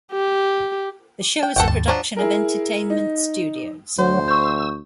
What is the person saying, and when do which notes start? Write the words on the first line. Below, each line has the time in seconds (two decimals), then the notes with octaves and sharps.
The show is a production of Entertainment Studios.
0.12 G4
1.43 G5
1.56 G#1 E2 A4 F#5 G5
1.68 D#2 G#2 A5
1.88 F3 F#3 D4
2.16 E4 G#4 A#4
2.90 D#4
3.98 D2 F#3 C5
4.28 C#6 E6 G6